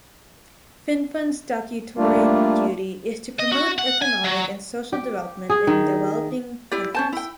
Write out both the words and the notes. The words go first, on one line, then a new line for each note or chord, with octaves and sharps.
Finnfund’s statutory duty is to promote economic and social development in developing countries.
G3 A3 A#3 D4 F4
D#5
F#4
F#5
G#5
F#3
G4
G#4
D#3
E4 G4 D5
C#4 C5 A5
E4 G5